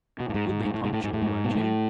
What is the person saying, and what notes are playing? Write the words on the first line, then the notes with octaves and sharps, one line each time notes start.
"You'll be punctual, won't you?"
B2
A2
G#2
G#2
G#2
A2
G#2
A2
G#2
A2
G#2
B2
A2